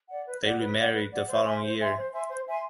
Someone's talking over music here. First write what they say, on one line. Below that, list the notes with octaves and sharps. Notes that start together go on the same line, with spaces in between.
They remarried the following year.
D5 F#5
B4
D5 F#5
B4
D5 F#5
B4
D5 F#5
C5
E5 G#5 C6
C5
E5 G#5 C6
C5
E5 G#5 C6
C5
E5 G#5 C6